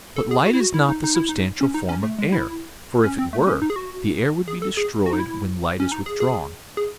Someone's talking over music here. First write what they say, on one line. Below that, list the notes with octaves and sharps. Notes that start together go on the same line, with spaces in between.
But light is not the substantial form of air, for if it were, the air would be destroyed when light is withdrawn.
A4
G#4
F#4
E4
F#4
E4
D#4
D#4
E4
D#4
C#4
D#4
C#4
A3
G#3
E4
C#4
C4
A3
C#4
D#4
G#4
F#4
G#4
A4
G#4
F#4
D#4
E4
C#4
D#4
G#4
G#4
G#4